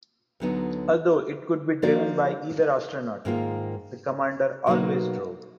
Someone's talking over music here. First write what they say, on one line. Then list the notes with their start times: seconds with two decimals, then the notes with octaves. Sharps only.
Although it could be driven by either astronaut, the Commander always drove.
0.40 D2 D3 F#3 B3 D#4
1.82 F3 A#3 D4 F#4 D5
3.25 G#2 D#3 A#3 F4
4.67 B2 F#3 A#3 D#4 F#4